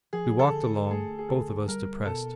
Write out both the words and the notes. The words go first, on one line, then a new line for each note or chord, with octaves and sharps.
We walked along, both of us depressed.
F3 G#4
A4
D3
A3 G#4
G#4
D2 A4
G3 A#4
B2 A4